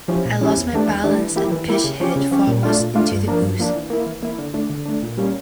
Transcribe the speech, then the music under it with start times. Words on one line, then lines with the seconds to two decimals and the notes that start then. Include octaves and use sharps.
I lost my balance and pitched head foremost into the ooze.
0.08 F3 C#4 E4 G4
0.25 A#2
0.41 F3 C#4 E4 G4
0.57 E2
0.73 E3 A3 D4 G4
0.88 E2
1.04 E3 A3 D4 G4
1.20 E3
1.36 A#3 E4 G4
1.51 E3
1.68 A#3 E4 G4
1.84 C#3
2.00 F3 C#4 G4
2.16 C#3
2.31 F3 C#4 G4
2.47 A#2
2.63 A3 D4 F4
2.80 A#2
2.95 A3 D4 F4
3.11 G2
3.28 F3 A#3 D4
3.42 G2
3.59 F3 A#3 D4
3.75 E3
3.90 A#3 E4
4.06 E3
4.23 A#3 E4
4.38 D3
4.54 A3 D4
4.70 D3
4.86 A3 D4
5.03 A#2
5.17 G3 A#3 C#4 G4